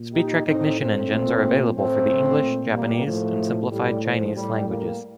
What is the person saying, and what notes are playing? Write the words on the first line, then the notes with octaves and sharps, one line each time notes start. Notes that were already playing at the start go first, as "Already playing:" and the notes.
Speech recognition engines are available for the English, Japanese, and Simplified Chinese languages.
Already playing: A#2
D#4 G4
A2 C4 D#4
A3 C4
A#2
A2 A3 C4
A#2
G3 A#3
A2 F3 A3
A2 G3
F3
A2 G3
G3 A#3